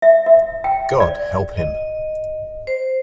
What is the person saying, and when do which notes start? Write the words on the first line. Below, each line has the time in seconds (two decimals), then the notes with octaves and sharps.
God help him!
0.02 E5
0.26 E5
0.64 G5
1.00 D5
1.57 D#5
2.67 C5